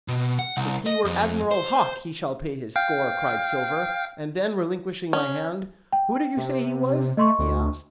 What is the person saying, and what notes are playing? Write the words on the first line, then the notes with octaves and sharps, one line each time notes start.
"If he were Admiral Hawke he shall pay his score," cried Silver; and then, relinquishing my hand, "Who did you say he was?" he asked.
B2
F#5
C2
D#5
F2
C5
F5 G5
C#4
G5
C3
A3 D#5 C6 C#6
D2